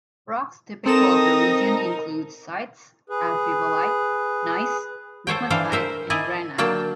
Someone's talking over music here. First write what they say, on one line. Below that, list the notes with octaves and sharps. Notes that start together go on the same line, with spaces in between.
Rocks typical of the region include schist, amphibolite, gneiss, migmatite, and granite.
C4 D#4 A4 A#4 D#6 A#6 E7
G#4 B4
A4 C5 C#5 G5
E3 D4 C5 F5 G5
A#4 C5 E5
E4 D5 D#5 G#5 A#5
D3 F#3 A#3 G5 A5